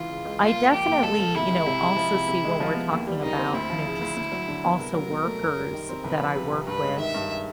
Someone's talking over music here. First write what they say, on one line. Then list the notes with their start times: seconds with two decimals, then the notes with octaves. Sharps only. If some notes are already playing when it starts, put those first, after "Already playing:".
I definitely, you know, also see when we're talking about, you know, just also workers that I work with,
Already playing: C#2 E3 F4
0.10 C#3
0.25 C#2
0.40 A#2 F4
0.56 A#3
0.71 F3 G4
0.87 A#2
1.03 C#2 A4
1.19 F3
1.34 C3 E4
1.50 C#2
1.66 C3
1.81 G#3
1.96 F3
2.13 C3
2.28 C3
2.44 G#3
2.60 F3
2.75 B3
2.91 D#2
3.07 G3
3.22 D#3 D#4
3.38 C4
3.53 D2 E4
3.70 F3
3.85 C#3
4.01 D2
4.17 D2
4.32 F#3
4.48 D3
4.64 B3
4.79 C2 A#4
4.95 F#3
5.11 B2
5.26 A3
5.42 F#2
5.57 G3
5.74 D#3
5.89 C4
6.04 C2 B4
6.20 F3
6.35 C3
6.51 C2
6.67 G2 B4
6.83 G#3
6.98 D#3 E5
7.14 G2